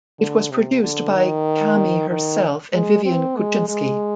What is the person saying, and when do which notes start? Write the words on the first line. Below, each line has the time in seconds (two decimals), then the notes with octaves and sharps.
It was produced by Caymmi herself and Vivian Kuczynski.
0.19 D3
0.51 C3
0.83 D3
1.14 D#3
2.10 D#3
2.73 G#3
3.05 C4
3.37 G#3
3.69 G#3